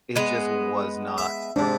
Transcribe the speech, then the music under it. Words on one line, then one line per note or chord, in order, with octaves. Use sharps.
it just was not
G#3 B3
E5
G#2 C3 D4